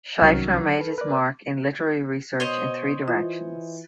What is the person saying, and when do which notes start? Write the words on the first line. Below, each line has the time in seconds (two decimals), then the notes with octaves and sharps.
Schiefner made his mark in literary research in three directions.
0.22 C2 C3 D#3 F#3 C#4 F6
0.79 A4 B4
0.98 A#4 B4 D5 F#6
2.40 B2 C5 C#5 D#5
3.08 E3 F4